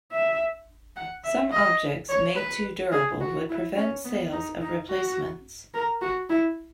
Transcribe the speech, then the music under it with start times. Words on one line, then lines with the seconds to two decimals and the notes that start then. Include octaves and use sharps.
Some objects made too durable would prevent sales of replacements.
0.12 E5
0.96 F#5
1.24 E5
1.52 D#5
2.09 C#5
2.36 B4
2.92 G#4
3.21 F#4
3.49 E4
3.77 C#4
4.04 B3
4.32 D#4
4.61 D#4
4.90 F#4
5.74 A#4
6.02 F#4
6.29 E4